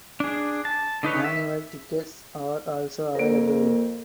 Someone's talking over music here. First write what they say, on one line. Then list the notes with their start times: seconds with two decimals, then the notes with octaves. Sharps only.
Annual tickets are also available.
0.20 D4 G#4
0.65 A5
1.03 D3 D#4 B4 C#5
1.24 E5
3.15 F2 A#3 A#4